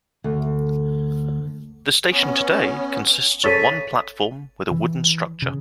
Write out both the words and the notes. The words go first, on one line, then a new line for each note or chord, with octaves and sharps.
The station today consists of one platform with a wooden structure.
D2
B3 C#4
C#3 A4 C#5 A6 B6 D#7
E3
C#3